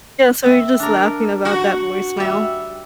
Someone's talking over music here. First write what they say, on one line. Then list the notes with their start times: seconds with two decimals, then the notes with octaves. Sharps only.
Yeah, so we're just laughing about that voicemail.
0.44 C4 E5
0.80 D4 A#4
1.45 F#4
2.17 G3 E5